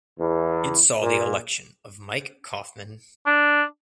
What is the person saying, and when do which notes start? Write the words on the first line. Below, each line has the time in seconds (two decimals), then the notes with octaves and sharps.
It saw the election of Mike Coffman.
0.19 E2
1.01 A#2
3.26 D4